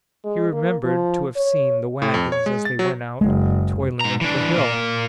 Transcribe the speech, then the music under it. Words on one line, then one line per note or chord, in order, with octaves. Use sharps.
He remembered to have seen the waggons, as they went out, toiling up the hill.
G#3
A#3
F3
C#5
A2
F2
C#5
G#3
A6
F#3
F#1 G#3
G#2 A#5
E3 D4
A#2 A#3